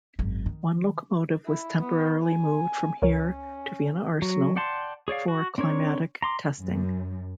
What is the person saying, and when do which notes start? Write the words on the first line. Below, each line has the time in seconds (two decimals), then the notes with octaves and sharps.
One locomotive was temporarily moved from here to Vienna Arsenal for climatic testing.
0.19 G#1 F#2
0.46 D#3
1.45 E4
1.80 B3
2.22 G#5
3.02 C#2 C#4 A#4 C#5
4.22 F#3
4.56 D5 F#5 G5 A5 C6
5.08 G#4 C#5 D5 F5
5.28 F#4
5.58 C4 D4 A#4 C#5
6.22 A#5 C6 D6
6.61 F#2